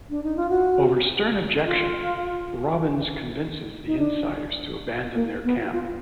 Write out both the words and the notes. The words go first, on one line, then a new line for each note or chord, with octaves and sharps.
Over stern objection, Robbins convinces the Insiders to abandon their camp.
D4
D#4
F4
F#4
F4
D#4
D4
A#3
B3
F4